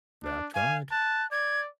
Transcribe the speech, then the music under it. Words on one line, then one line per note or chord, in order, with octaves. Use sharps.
That's right.
D4
F5 G#5
A5 F#6
D5 G#6